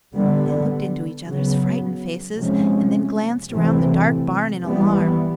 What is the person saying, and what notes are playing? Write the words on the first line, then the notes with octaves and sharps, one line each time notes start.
They looked into each other's frightened faces, and then glanced around the dark barn in alarm.
D3 G3 B3
C#3 F#3 B3
C3 F3 G#3 C#4
C3 E3 A3 C4
E3 G3 B3